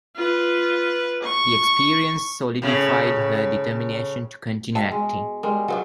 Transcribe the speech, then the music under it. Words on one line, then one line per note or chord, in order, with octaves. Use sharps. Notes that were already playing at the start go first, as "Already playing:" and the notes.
The experience solidified her determination to continue acting.
F4 B4
C#6
A2 C#3
B2 E5 G5 A5
G#3
G3 G#3 A#4
F3 F#3 C5 F#5